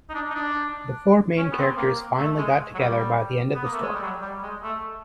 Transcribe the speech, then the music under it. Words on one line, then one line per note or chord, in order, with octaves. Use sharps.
The four main characters finally got together by the end of the story.
D#4
D4
D#4
D4
C#4
B3
C4
A#3
A3
G#3
F#3
G3
B3
A#3
A3
G#3
G3
F#3
G3
G#3
A3